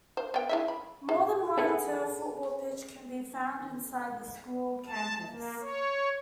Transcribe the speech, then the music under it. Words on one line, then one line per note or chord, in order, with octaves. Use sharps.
More than one turfed football pitch can be found inside the school campus.
C5
B3 G5
E4 G#4 E5
B5
G#4
G#4 A4 B4 F#5
A5
A#3
C#5